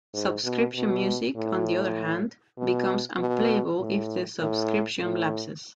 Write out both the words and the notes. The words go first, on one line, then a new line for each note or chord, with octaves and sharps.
Subscription music, on the other hand, becomes unplayable if the subscription lapses.
G#2
B2
B2
A2
B2
B2
A2
A2
A2